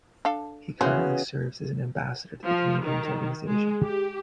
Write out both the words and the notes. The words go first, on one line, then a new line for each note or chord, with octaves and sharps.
He currently serves as an ambassador to the Canadiens organization.
D4 A4 F5
C#3 E3 G#3 B3 F#4 G#4 C5
F3
D#3
G#3
G4